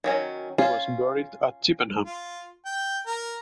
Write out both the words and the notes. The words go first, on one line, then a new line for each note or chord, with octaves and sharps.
He was buried at Chippenham.
D#3 F#3 C#4
C#4 F4
F4
G5
A#4